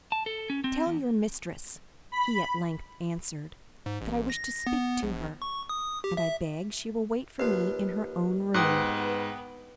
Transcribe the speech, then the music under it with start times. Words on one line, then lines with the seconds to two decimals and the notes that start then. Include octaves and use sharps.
"Tell your mistress," he at length answered, "that I wish to speak to her, and I beg she will wait for me in her own room."
0.12 A5
0.26 A4
0.50 C#4
0.64 C4
0.86 E2
2.12 B5
3.86 G#2
4.01 A1
4.30 A#6
4.67 B3
5.03 A#1
5.42 C#6
5.69 D#6
6.04 G4
6.17 E5
7.40 D#2 F3 B4
8.54 G#2 B3 B4 G5 D#6 F#6